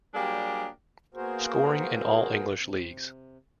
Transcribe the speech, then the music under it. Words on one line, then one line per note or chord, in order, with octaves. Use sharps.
Scoring in all English leagues.
F#3 G3 A#3 D4 G4 G#4
A#3 B3 F#4 G#4 A#4 C5
C3